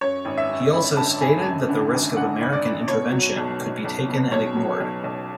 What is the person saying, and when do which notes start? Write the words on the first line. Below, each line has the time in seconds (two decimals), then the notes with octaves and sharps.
He also stated that the risk of American intervention could be taken and ignored.
0.01 F#2 C#5
0.25 G#1
0.37 E5
0.49 F#2
0.73 G#1 B5
0.97 D3 A5
1.21 G#1 G#5
1.45 F#2
1.69 D3
1.93 G#1
2.17 D3 F#5
2.41 G#1
2.53 D5
2.65 F#2
2.88 B2 C#5
3.12 F#3
3.36 B1
3.60 B1
3.84 B1
4.08 B2
4.32 B1 C#5
4.56 F#3
4.80 B1
5.04 B1